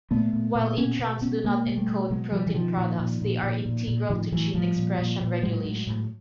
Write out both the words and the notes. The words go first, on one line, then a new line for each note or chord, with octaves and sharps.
While introns do not encode protein products, they are integral to gene expression regulation.
A#2 A3 B3
A#2
A#2
B2 B3 C#4
B2
B2 B3 C#4
B2 G#3 A#3
B2
G3 A3
B2
B2 F#3 G#3
B2 F3 G3
E3
B2 D#3 F3
A#2
A#2
A#2
A#2
A#2
A#2
A2 D#3 F3
A2 E3 F#3
A2 F3 G3
A#2
A#2
A#2
A2 F#3 G#3
A2
A2